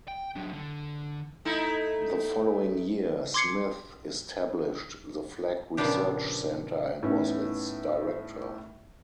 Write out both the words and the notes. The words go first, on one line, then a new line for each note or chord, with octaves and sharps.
The following year, Smith established The Flag Research Center and was its director.
G5
F#3 D4
D3
A3 D#4 E4
C6 D6 G#6 C7 C#7
A#2 C#3 F3 B3 D4 G4
A2 B3 C#4 D#4